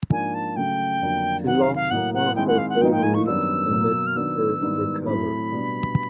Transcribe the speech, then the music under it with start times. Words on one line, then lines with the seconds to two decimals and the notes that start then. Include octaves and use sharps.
She lost one of her ovaries amidst her recovery.
0.11 G#2 F3 A#3 D4 G#5
0.34 A5
0.56 C#3 F#3 A3 G5
1.01 F2 D3 F#3 A#3
1.46 C3 D#3 F#3 F#5
1.62 F5
1.76 F5
1.91 A2 F#3 A#3 F#5
2.14 F#5
2.36 D#3 G#3 C4 E4 G5
2.48 F#5
2.58 F5
2.69 F#5
2.81 G#2 F3 A#3 D#4 G5
2.92 G5
3.03 G#5
3.14 C#6
3.26 F#2 D#3 G3 B3 D4 E6
3.71 B2 F#3 A#3
4.07 F6
4.16 D#3 F#3 B3 D4 E6
4.61 G#2 D#3 G3 B3 E4
5.06 A2 F#3 A3 C4 E4 B5
5.52 B2 G3 B3 D4